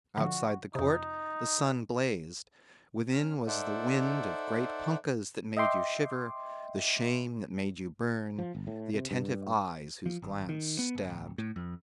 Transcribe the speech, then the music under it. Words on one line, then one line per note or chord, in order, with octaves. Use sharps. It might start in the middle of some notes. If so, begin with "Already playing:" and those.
Outside the court the sun blazed--within was the wind of great punkahs that made you shiver, the shame that made you burn, the attentive eyes whose glance stabbed.
D3 F3 F#4
F2 C3 D#4
C#4 F6
D#4 A4 C5 D5 E5 F#5
D#5 E5 G5 C6 D6
F3
G1
A2
C3
G2
F3
G#1
D#3
B3
G1
D1
A2
F2